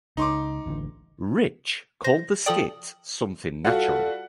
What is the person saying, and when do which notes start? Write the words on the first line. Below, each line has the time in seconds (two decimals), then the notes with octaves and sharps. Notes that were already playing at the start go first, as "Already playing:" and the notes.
Ricch called the skit "something natural".
0.17 C#2 D#4 C6 D6
0.66 D1 A1 D3
2.04 C5 A#6
2.46 F3 A4 D5 G5 D#6 F#7
3.65 G3 F4 F#4 A4 F#5